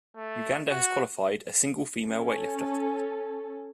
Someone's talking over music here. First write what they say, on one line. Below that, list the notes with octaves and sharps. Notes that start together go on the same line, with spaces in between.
Uganda has qualified a single female weightlifter.
A3
F#4
C#4 A4